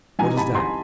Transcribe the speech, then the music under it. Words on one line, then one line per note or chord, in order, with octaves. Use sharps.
"What is that?"
E3 G3 C4 D#4 G#5 A#5
A5 B5
A#5 C6